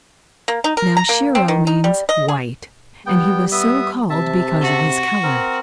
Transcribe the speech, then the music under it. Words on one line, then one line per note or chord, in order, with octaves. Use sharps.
Now Shiro means "white," and he was so called because of his color.
A#3
D#4
A#4
A#5
A#3
C4
D#3
D#4
G3
D#5
G#4
G3 B3 G5
B3 E5 D#6
C3 E5 A5
F#4
C4 A#4